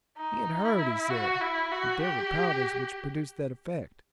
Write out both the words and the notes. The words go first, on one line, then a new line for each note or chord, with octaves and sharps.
He had heard, he said, that there were powders which produced that effect.
D#4
E4
F#4
E4
F#4
G4